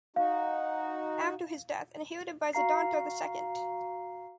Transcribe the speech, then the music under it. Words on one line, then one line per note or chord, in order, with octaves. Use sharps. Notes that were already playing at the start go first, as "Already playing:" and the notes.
After his death, inherited by Zidanta II.
D#4 F#4 F5
F#4 F5 A#5 C7